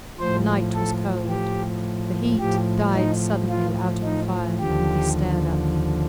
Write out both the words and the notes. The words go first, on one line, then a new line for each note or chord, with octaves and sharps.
The night was cold; the heat died suddenly out of the fire, and he stared at me.
A2 F3 C5
A4
G4
A2 F3 G4
D#4
F4
D#4
D#2 D3 F3 G4